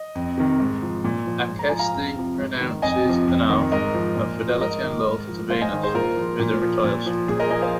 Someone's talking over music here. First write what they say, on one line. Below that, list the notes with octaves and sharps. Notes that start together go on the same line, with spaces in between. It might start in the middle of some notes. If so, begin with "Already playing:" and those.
Aceste pronounces an oath of fidelity and loyalty to Venus, who then retires.
Already playing: D#5
F2
C3 D#3
G#2
F3
A#2
F3
G#2
A#5
F3 G#5
F5 A#5
F2
C3 F3
G#2
D#3
F2 D#5 G#5
C3 F3
F2
D#3
G#2 A#4 D#5
F3
A#2
F3
G#2 A#4 D#5
D#3
G#2
F3
G#2 C5 F5
D#5 G#5
D#3
G#4 C5
A#2 F4 A#4
F3
A#2
F3
A#2
F3
A#2 G#4
A#4 D#5
F3 D#5 G#5
C5 F5